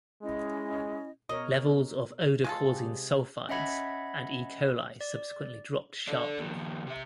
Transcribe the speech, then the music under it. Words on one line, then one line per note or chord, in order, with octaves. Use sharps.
Levels of odour-causing sulphides and E. coli subsequently dropped sharply.
G#3 C#4 E4 D#5
B2 A#4 C#5 D#5
G#3 F4 A4
C3 G4 G#4
C#4 D#5 E5 F#5 B5 G#6
D5
A4 D5
D#2 F3
C3 E5